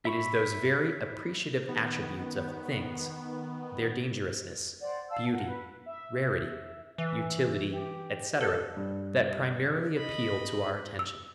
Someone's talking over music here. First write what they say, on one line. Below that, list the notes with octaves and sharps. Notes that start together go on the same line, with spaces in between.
It is those very appreciative attributes of things, their dangerousness, beauty, rarity, utility, etc., that primarily appeal to our attention.
E5 B5 C#6
D#3 B3
C5 D5 F#5 G5
D5 F5 A5 E6
A#4 F#5
B4
E5
E3 E5
G4
A4 A5
G2
D#5 B5
E6